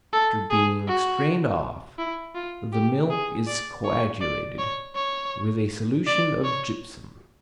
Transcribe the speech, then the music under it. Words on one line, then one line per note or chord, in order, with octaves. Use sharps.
After being strained off, the "milk" is coagulated with a solution of gypsum.
A4
G#4
F#4
E4
F4
G4
G#4
D5
C#5
D5
C#5
C#5
D5
C#5